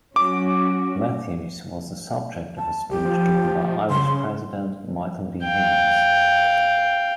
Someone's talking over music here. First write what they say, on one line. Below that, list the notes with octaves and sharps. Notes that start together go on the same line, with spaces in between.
Matthews, was the subject of a speech given by Irish President Michael D. Higgins.
F#3 C#4 F#4 D6
A5
C2 G4
F3
C#3 C6
F5 G5